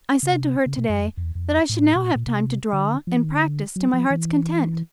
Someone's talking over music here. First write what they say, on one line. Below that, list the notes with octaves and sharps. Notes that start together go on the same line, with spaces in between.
I said to her today that I should now have time to draw and practice to my heart's content.
C#3
C3
C#3
B2
F#2
F2
F2
E2
F2
A2
B2
A#2
A#2
C3
D3
F3
E3
D#3
D3
F#3
F3
E3